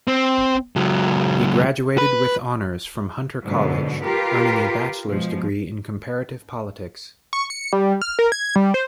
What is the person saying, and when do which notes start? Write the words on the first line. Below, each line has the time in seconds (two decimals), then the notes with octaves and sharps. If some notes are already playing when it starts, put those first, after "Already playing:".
He graduated with honors from Hunter College, earning a bachelor's degree in comparative politics.
0.08 C4
0.76 C#2 F#3
1.98 B4
3.45 G#2 B2 D3 F#3
4.04 F4 G4 A#4 B4
5.03 B2 F3 G#3
7.33 C#6
7.50 C#7
7.73 G3
8.02 F6
8.19 A#4
8.32 G#6
8.56 G3
8.74 C5